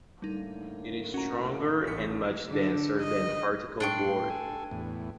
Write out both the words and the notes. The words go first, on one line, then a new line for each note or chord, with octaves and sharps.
It is stronger and much denser than particle board.
A2 D3 G3 A#3 D#4
C#4 F#4 A#5
A1 C#6 B6 C#7
D3
D#5
A2 D4 G5 C6 C#6
A4 G#5
E2 A2